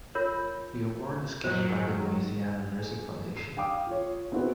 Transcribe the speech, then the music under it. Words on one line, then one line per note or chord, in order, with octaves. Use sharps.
The award is given by the Louisiana Nursing Foundation.
F4 A#4 C#5
F#2 D#3 F#3 C5
G#4
C7
F5 G5 D6 D#6
F4 C#5
B3 C4 E4 F#4 G#4 B4